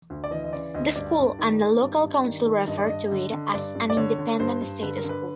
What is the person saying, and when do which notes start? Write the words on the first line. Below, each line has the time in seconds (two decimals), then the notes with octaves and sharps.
The school and the local council refer to it as an independent state school.
0.10 D2
0.24 D5
0.31 E3 D#5
0.44 D#5
0.53 C#3 D5
0.74 D2 D#5
0.95 G2 D5
1.18 G2
1.39 D#3
1.60 D#3
1.82 G2
2.04 G2
2.25 D#3
2.46 D#3
2.67 G2 D#5
2.78 D5
2.87 G2 D#5
3.11 D3
3.32 D3
3.54 G2 D5
3.75 G2
3.90 D5
3.97 D3 C#5
4.18 D3
4.40 G2 C5
4.61 G2
4.83 D3 B4
4.96 A#4
5.04 D3
5.09 B4